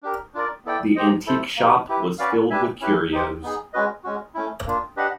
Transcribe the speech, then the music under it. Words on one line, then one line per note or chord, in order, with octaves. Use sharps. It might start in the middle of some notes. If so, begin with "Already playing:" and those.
The antique shop was filled with curios.
D4 G4 A#4
D4 F4 A#4 D5
B3 E4 A4 D5 G5
G4 C5 D#5
E4 A4 C5
A#3 D#4 G4
E4 G4 B4
C#4 F#4 B4 D5 F5
D4 G4 B4 E5 G#5
C#4 E4 G4 B4
D#4 G4 C5
B3 D#4 G#4
G#3 C#4 F#4 B4 D#5
G#3 C#4 F#4
A3 C#4 E4
A#3 D4 F4
D4 G4 B4 D#5 F#5